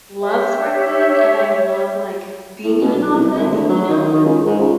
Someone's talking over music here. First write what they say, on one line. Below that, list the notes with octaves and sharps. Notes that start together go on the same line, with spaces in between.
loves working, and I love, like, being in an office, you know?
G4 C#5 E5
A2
B2
B1
C2
G#1
D2
F#3
D#3
D#3
C#2
G#2
C#2